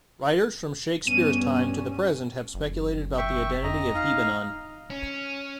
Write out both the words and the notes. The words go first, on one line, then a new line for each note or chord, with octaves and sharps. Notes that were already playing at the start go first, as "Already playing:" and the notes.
Writers from Shakespeare's time to the present have speculated about the identity of hebenon.
G2 B3 C#4 D#7
F#1
E5 G5 C#6
F2 D#5 A#5
D#4 F5
C#4